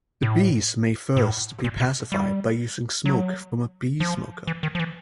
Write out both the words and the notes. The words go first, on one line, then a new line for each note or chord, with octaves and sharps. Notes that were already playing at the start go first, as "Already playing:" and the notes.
The bees may first be pacified by using smoke from a bee smoker.
A2
A2
A#2
B2
G3
F#3
F3
E3
D#3
F3
E3